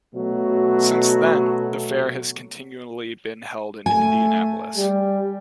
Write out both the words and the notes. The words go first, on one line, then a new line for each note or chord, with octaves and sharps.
Since then, the fair has continually been held in Indianapolis.
B2 F#3 A3 F#4
A3 G#5
G3